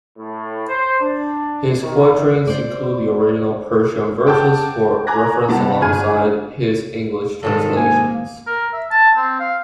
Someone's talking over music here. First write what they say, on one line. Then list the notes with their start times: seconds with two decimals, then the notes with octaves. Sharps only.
His quatrains include the original Persian verses for reference alongside his English translations.
0.17 A2
0.67 C5
1.01 D4
1.82 D#3
2.47 C5 D5
4.26 F#5 G5 A5 D6 G6
5.07 G#5 A#5 D6 F#6 G#6 A#6
5.49 C3 G3 F#5 A5
5.81 G1 G#4 G#5 F6 G#6 D#7
7.43 G#2 C3 D#3 A4
7.75 A#3 G#5
8.47 A#4
8.73 E5
8.91 A5
9.16 C4
9.40 F5